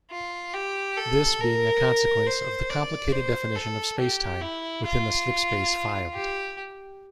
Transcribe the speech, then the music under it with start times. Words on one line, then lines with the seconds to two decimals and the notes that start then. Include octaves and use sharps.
This being a consequence of the complicated definition of space-time within the slipspace filed.
0.11 F4
0.54 G4
0.97 A4
1.41 A#4
2.26 C5
2.70 D5
3.12 C5
3.56 A4
3.99 G4
4.41 E4
4.85 F4
6.14 G4